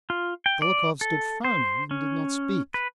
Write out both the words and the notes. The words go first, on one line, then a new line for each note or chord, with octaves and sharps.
Dolokhov stood frowning and did not speak.
F4
G5
D5
A4
C5
C#4
B4